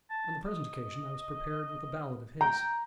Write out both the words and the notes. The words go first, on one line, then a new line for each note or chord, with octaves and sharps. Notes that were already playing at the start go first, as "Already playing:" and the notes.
On the present occasion, I was prepared with a ballad of his.
A5
D#5
G5 A#5